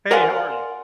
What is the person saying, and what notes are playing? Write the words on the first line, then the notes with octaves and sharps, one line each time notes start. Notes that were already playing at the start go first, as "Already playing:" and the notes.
Hey, how are you?
A#4 D5 F5 F#5 G#5 C6